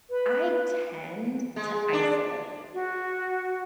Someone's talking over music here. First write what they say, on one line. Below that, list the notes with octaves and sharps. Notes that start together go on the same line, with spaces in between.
I tend to isolate
B4
G#3
D4
F#4